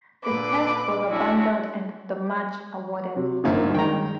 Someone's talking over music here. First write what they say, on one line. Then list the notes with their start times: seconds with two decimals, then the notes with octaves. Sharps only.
The Test was abandoned and the match awarded to England.
0.23 A#2 D3 B4 D6
1.07 C#4 D4 E4 F#4 G#4
3.16 C3 F#3
3.44 G1 F#2 A#2 A#3 D#4 C5
3.74 D#3 G#3 G5 A#5